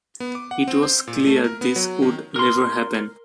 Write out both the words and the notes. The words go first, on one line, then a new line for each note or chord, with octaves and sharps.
It was clear this would never happen.
B3
D6
F#5
C4
C5
A#2
A3
A#4
B3
F#3
D#3
A#4 C6